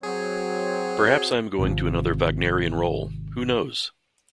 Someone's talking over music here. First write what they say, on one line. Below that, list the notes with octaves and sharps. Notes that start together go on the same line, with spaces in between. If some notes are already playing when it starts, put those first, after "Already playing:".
Perhaps I am going to another Wagnerian role - who knows?
F#3 C4 G#4 C#5
G#1 C3 F3